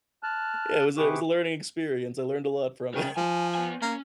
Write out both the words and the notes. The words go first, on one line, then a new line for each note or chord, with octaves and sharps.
Yeah, it was a it was a learning experience. I learned a lot from it.
A5 F6 F#6
C3 G4 G#4 B4 C#6 D6
C#3 A#4 G5
F3 G#5
B3 G#5
A#3 C#4